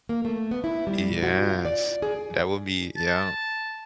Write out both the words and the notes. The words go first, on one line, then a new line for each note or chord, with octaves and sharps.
Yes, that would be yeah.
A#3
A3
B3
E4
G3
B2
F#4
F4
D5
G#4
A5